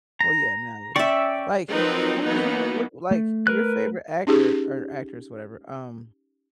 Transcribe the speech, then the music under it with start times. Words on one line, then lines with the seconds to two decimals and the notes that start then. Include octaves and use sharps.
Oh yeah, now yeah. Like, who is who would like, your favorite actor or actress, whatever, um,
0.21 A#5
0.96 C#4 D5 E5 G5 C#6
1.69 F3 F#3 C4 D#4 A#4 B4
2.24 E3 F#3 A#3 B3 D#4
3.11 A3
3.47 A#4 B4 F#6
4.27 C#4 D#4 G4 G#4